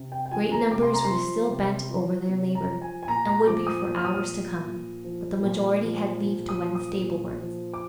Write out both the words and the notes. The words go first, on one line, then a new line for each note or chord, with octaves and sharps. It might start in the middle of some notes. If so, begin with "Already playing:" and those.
Great numbers were still bent over their labour, and would be for hours to come, but the majority had leave to wend stablewards.
Already playing: C3
G5
G5
F3 G#5
A#5
C3 D6
C6
A#5
C6
F3
C3
F3
C3
A#5
F3
G#5
G#5
A#2 A#5
A#5
F3 D6
D#6
A#2
F6
D#6
F6
F3
A#2
F3
A#2
F3
A#2
D#6
F3
D#6
A#2
F3
D6